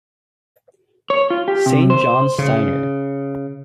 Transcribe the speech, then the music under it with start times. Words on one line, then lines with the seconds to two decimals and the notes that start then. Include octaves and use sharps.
Saint John Steiner.
1.10 C#5
1.30 F4
1.48 G4
1.66 C3
1.90 C5
2.38 C#3